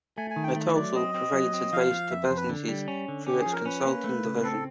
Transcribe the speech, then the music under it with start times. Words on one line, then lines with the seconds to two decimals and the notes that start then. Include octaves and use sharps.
It also provides advice to businesses through its consulting division.
0.17 A3 G#5
0.30 G#5
0.36 D#3
0.43 G5
0.56 A3
0.75 F#3 D5
0.95 C4 D#5
1.14 C4
1.33 F#3
1.53 C4
1.73 F3 F5
1.91 F3
2.10 F2 E5
2.24 C5
2.30 F2
2.37 B4
2.49 D3
2.68 G3
2.88 C#4
3.08 D3
3.27 C#4 G4
3.40 G#4
3.46 F3
3.52 A#4
3.66 C#4 B4
3.85 A#3
4.04 A3
4.25 C#3
4.43 C4 A4